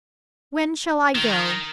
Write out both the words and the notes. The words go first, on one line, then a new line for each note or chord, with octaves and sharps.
When shall I go?
D#3